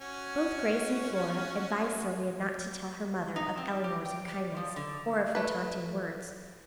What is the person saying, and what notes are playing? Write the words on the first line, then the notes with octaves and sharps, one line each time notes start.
Both Grace and Flora advised Sylvia not to tell her mother of Elinor's unkindness, or of her taunting words.
C#4 F#4
D#4
C4
G4
G5
G3
F3
D3
A3 B4